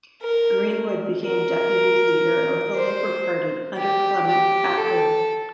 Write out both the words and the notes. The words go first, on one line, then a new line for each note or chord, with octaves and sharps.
Greenwood became Deputy Leader of the Labour Party under Clement Attlee.
A#4
A#4
C5
G4
G4
A4